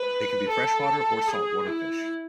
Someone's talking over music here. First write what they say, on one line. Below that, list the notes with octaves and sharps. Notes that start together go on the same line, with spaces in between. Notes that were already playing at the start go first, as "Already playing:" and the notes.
They can be freshwater or saltwater fish.
Already playing: B4
A4
G#4
E4